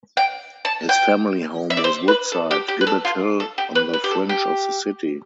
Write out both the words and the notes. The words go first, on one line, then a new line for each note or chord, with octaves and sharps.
His family home was Woodside, Gibbet Hill, on the fringe of the city.
G5
A5
G5
E5
D5
C5
B4
A4
G4
G4
B4
A4
F4
A4
G4
B4
B4
G4
A4
G4